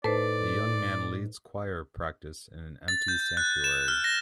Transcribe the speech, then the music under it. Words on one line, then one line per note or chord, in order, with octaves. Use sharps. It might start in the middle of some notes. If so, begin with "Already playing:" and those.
A young man leads choir practice in an empty sanctuary.
A2 D#4 A4 B4 C5 D5
A6
G6
G6
F#6
E7
F6
A#6